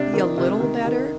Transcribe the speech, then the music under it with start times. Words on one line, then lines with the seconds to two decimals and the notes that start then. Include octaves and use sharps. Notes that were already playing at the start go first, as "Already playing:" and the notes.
be a little better
Already playing: C3 D4
0.13 D#3
0.38 C3
0.60 D#3
0.85 D#3